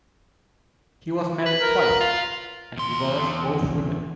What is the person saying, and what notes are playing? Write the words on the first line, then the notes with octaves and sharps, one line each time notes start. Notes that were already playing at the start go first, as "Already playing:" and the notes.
He was married twice and divorced both women.
B4
A#4
F4
E2 C6